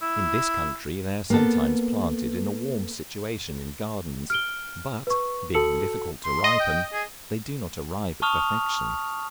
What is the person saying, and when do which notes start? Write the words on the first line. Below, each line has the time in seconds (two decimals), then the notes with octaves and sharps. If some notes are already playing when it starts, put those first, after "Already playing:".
In this country they are sometimes planted in a warm situation in gardens, but, being difficult to ripen, they do not arrive at perfection.
0.02 E4
1.30 A#3 B3 A4
4.30 F6 D7 G7
5.07 B4 C#6
5.54 F#4 A4 A5 E6 C#7 F#7
6.24 C6
6.44 D#5
6.60 G5
6.93 G#4
8.22 A5 C#6 D#6 F6 F7